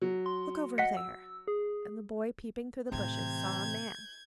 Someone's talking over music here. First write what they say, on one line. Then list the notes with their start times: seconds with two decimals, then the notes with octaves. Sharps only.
Look over there!' And the boy, peeping through the bushes, saw a man.
0.02 F#3
0.26 C6
0.78 D#5 F#5 B6 C#7
0.97 E6
1.48 G#4
2.92 A2 C3 E3 G6 G#6